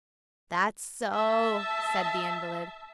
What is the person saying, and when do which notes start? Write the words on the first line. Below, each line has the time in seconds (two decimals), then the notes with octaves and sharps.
"That's so," said the invalid.
1.13 E5 A5